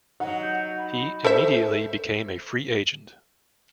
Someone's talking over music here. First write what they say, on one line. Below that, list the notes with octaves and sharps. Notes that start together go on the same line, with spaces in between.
He immediately became a free agent.
F#3 D#4 F#5
G6
B5
A4 C5 E5